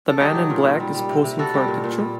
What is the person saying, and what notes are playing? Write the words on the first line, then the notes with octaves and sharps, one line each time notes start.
The man in black is posing for a picture.
A4
F#3 D#4 G4
F#3
A#2
A#2
G3
G3
C3
C3
G3 F#4 A4
G3
A#2
A#2
G3